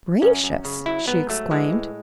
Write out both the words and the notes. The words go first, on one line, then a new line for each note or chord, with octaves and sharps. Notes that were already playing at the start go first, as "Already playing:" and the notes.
"Gracious!" she exclaimed.
F#2 C#4
F#2
C#3
F#3 E4
G#2 B3
F#3 A3
E3 G#3
A2